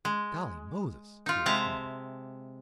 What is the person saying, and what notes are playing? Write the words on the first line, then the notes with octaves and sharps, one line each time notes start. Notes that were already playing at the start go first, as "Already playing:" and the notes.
"Golly Moses!" he exclaimed.
G#3
D#4 F4
C3 G#3 E5 A5 A#5